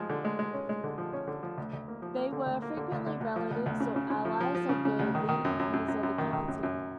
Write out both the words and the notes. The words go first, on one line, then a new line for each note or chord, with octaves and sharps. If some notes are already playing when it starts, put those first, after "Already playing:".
They were frequently relatives or allies of the leading peers of the county.
Already playing: F3 G#3
D3
G#3
G#3
C#4
G#3
D3
F3
C#4
D3
F3
D2
D2
A#3
F3
A#3
D3
D2
A#3
D3
D2
D3
D2
F3
D2
D2
C#3
C#3
C#3
F3
F3
F3
C#3
C#3
D2
D#3
D#3
F#2
F#2
F#2
F#2
F#2
D#3
D#3
F#2
F#2